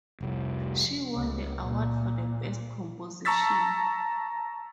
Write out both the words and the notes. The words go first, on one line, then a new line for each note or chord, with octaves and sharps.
She won the award for the best composition.
F1 C2
C#2
A#2
A5 A#5 C#6 E6 A6 B6